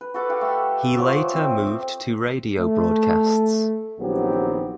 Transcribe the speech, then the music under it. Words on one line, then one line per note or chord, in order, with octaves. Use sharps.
He later moved to radio broadcasts.
B4
F#4 A4 B4 D6
G4 F5 F#5
A3
F3 F#3 D5
C4
A3
A#1 D#3 F#3 B3 C4 G4